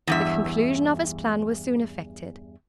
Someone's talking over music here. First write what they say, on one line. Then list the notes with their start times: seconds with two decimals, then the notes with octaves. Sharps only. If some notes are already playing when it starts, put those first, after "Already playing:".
The conclusion of his plan was soon effected.
0.07 E2 G2 E5